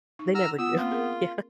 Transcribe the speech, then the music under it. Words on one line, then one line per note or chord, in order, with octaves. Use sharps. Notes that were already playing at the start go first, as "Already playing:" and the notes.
They never do, yeah.
D#4
F#5 A#5 E6 F6
B3 F4 E6
A#3 C4 F4 B4
G#4 A#4